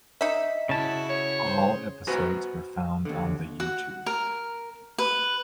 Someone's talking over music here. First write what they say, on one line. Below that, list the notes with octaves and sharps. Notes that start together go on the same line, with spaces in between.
All Episodes were found on the YouTube.
D#4 E5
C#3 E4 F#4 A5
C#5
C5
F#4 B4 C5 G#5 A#5 B5
D#2 D3
F#4
A#4
B4